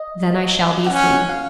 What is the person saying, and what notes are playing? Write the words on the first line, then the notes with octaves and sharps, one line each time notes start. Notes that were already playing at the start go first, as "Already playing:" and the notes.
'Then I shall be free.'
Already playing: D#5
C#4 F#5
F5